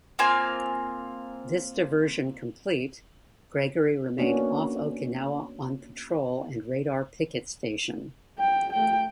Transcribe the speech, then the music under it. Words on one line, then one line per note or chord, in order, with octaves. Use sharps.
This diversion complete, "Gregory" remained off Okinawa on patrol and radar picket station.
A#3 C4 F4 G#5
A#3 B3 C#4 D4 F#4
G5
A3 G5